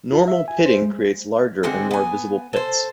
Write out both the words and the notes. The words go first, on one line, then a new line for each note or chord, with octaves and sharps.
Normal pitting creates larger and more visible pits.
F4
E5
G#5
C5
G#3
D3 G#3 C4 F#5
B3 G#5
A4 C5